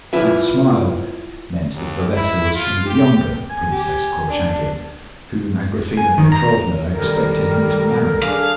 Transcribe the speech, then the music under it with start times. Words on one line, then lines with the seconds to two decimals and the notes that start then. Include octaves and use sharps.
That smile meant that the letter was from the younger Princess Korchagin, whom Agraphena Petrovna expected him to marry.
0.13 E4 F4 B4 E5
1.74 D#2
2.14 E4
2.55 F4
2.87 G4
3.50 G#5
3.71 G4
4.29 D4
4.51 D4
5.97 G#5
6.18 D#3
6.32 A#5
6.93 D#3 G3 A4 A#4
8.23 D4 G#4 F5